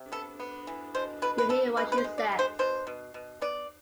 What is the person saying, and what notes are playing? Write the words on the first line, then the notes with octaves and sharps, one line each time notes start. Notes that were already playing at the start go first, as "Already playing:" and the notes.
You hear what she says.
Already playing: C3
B3 A4
B3
E3
B2 C5
B2 B4
B4
B3 A4
G#3 B4
B4
C5
G#3
D5
G#3
C5
B2 C5
B2
B2
B3 D5